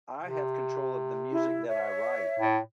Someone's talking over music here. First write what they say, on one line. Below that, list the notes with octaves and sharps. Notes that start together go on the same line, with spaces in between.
I have control of the music that I write,
C3
E4
C#5 E5
A2